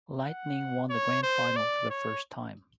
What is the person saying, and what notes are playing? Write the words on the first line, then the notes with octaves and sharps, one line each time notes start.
Lightning won the Grand Final for the first time.
F#5
C#5
C5
D5
C#5